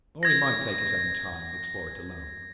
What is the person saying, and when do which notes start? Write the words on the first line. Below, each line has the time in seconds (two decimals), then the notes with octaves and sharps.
Or he might take his own time, and explore it alone.
0.23 G#6 A#6